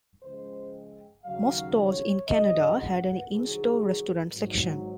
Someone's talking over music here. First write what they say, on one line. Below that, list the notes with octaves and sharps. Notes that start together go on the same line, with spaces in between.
Most stores in Canada had an in-store restaurant section.
C#2 C#3 F3 G#3 C5
D#2 C#3 F#3 F5
C#5
G#1 F#2 C#3 F#3 D#5
F#5
C2 C3 D#3 F#3 G#4
G#1 G#2 F#3